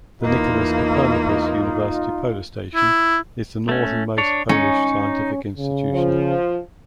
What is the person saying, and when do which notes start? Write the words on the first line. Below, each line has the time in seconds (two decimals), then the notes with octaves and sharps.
The Nicolaus Copernicus University Polar Station is the northernmost Polish scientific institution.
0.23 E2 A#3 D#4 F4
2.75 E4
3.69 A3 C#4
4.18 D4 C#5
4.49 C#4 D#4
5.57 C#3
5.94 F3